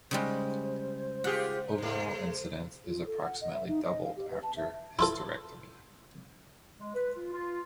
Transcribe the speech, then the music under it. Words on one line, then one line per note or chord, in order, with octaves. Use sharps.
Overall incidence is approximately doubled after hysterectomy.
C#3 G3 G#3 C5
F4 G4 G#4 F#5
G#3 A3
F4
A4
F#5
D#5
E5
D#4
D#5
F5
G4
B4
A5
E5
E4 F4 A4
G#3
B4
F4
F4